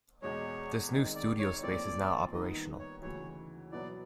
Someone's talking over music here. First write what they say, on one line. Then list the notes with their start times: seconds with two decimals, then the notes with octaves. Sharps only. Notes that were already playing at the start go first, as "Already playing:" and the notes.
This new studio space is now operational.
0.22 E2 B2 G#3 C#5
0.92 D#3 G#3 C4
1.15 D5
1.39 C#5
1.62 A#2 F3 A3 C4 E4 D5
2.32 D#3 G3 B3 D#4 D#5
2.79 C#5
3.02 D2 C#3 E3 C#5
3.72 B2 F#3 B3 E4 D5